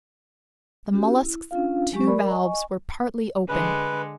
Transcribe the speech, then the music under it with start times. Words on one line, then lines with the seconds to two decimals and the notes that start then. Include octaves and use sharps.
The mollusk's two valves were partly open.
0.93 C#4 F#4 G4
1.08 E4
1.51 C#4 D4 F4 F5
1.92 F#3 G#3 G4 C#6
2.07 A#4 D5 B5
2.30 D#5 G#5 C#6
3.49 D3 G#3 B4